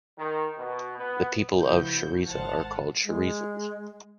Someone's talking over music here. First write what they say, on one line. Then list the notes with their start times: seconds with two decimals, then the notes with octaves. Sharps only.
The people of Cerizay are called Cerizians.
0.17 D#3
0.58 B2
0.98 B3
1.60 C#2 F3 B3 E4 F#4 G6
2.26 G#1 C5 F#5 A5 F6
3.05 G#3